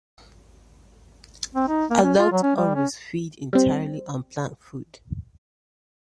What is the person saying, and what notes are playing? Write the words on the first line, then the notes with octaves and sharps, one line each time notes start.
Adult Arraus feed entirely on plant food.
C4
D#4
A#3
C#4
F4
F#3
C#4
G3
C#4
G3 C4